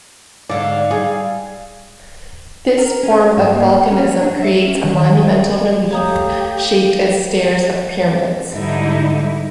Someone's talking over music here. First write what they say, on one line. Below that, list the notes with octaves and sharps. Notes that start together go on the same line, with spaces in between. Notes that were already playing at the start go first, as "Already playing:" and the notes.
This form of volcanism creates a monumental relief shaped as stairs of pyramids.
G#2 D3 D5 F5
G3 G#4
A#4
C#4
G#2
A#3
C#4
D4
E5
C#4
D#3
A3 G4 C#5 F5 A#5 D#6
G#2 D3 G3 D#4 E4